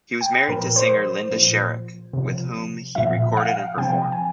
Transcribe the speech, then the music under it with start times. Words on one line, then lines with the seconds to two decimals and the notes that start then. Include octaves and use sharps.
He was married to singer Linda Sharrock, with whom he recorded and performed.
0.21 G5
0.48 A#2 F3 A#4
0.76 C5
1.31 A#2 F3
2.13 C3 F3
2.95 A#2 F3 E5
3.37 F5
3.77 C3 F3 G5
4.12 G#5